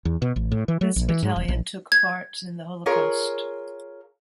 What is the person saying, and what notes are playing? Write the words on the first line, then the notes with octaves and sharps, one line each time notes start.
This battalion took part in the Holocaust.
E2
B2
A1
A2
E3
F#3
A#1
E3
G#2
E1
A#1
G#6
F4 G#4 A#4 C#5